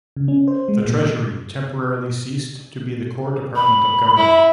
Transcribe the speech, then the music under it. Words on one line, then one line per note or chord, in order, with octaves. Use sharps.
The Treasury temporarily ceased to be the core department of government.
C#3
C#4
C5
G#3
A#2
B5
E4